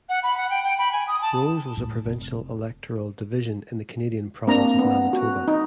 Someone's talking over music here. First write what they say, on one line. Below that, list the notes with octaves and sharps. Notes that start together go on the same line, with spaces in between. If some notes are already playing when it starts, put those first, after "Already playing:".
Rose was a provincial electoral division in the Canadian province of Manitoba.
F#5
B5
F#5
G5
G5
B5
G#5
D#6
A5
A2
F1
A#3 C4 D4 A#5
B3
F#4
D#4